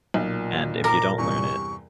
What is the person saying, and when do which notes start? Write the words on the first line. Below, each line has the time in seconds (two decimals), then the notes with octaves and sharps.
And if you don't learn it
0.14 B1 A#2
0.84 A#4 D6
1.18 E2 G2 C3 C#6